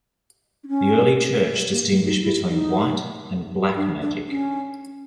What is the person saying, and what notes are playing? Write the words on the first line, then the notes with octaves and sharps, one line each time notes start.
The early Church distinguished between "white" and "black" magic.
D4
C#4
A#3
A3
D#4
E4
D#4
D4
D4
C#4